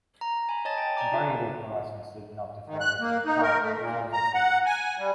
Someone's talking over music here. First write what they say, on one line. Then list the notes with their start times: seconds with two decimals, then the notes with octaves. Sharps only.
Variable fluorescence did not differ between thawed and frozen seedlings.
0.21 A#5
0.49 G#5 B5
0.65 C#5 D#5 A5 A6
0.78 G5 G#5
0.97 D5 A5 A#5 D6
1.12 D#4 F4 G#5
2.66 D#3
2.80 F#6
3.00 A#3
3.25 D#4
3.42 A#4
3.61 A3
3.80 A#2
4.13 A#5
4.34 F#5
4.66 G#5
4.99 G3